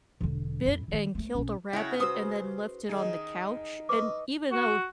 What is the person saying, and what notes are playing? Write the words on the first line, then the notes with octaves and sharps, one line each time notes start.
bit and killed a rabbit and then left it on the couch, and even though
E1 D3
F2 E4
D3 D#3
A3 B3
B1 C#4
C#3 E4 F#4 C#5 G5
F#4 B4 C5 D#6 E6
D#3 D#4 G#4
D#4 B4 C#6 D6
F#4